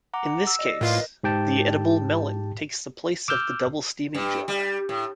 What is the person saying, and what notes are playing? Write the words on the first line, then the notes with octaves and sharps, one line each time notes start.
In this case, the edible melon takes the place of the double steaming jar.
F#5 A#5 D6
E6
D5 D#5
A2 F4 A#4 B4 D#5 F5
G#2 G4 G5 A5
D6 E6 F6 G6
G2
G3
A2